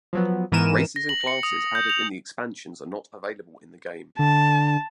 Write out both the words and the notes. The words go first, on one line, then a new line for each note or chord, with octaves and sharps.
Races and classes added in the expansions are not available in the game.
F3 F#3 B3
G#2 E3 B3 A#4 D#7 E7
A#6
F#7
C#7
D#6
G6
F7
D3 A5